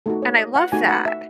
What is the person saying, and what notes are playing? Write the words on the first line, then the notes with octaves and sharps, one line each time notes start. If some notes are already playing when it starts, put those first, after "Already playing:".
And I love that.
A3 D#4 F#4 A4
C#5
D#5
F#5
A3 D#4 F#4 G#5
F#5
E5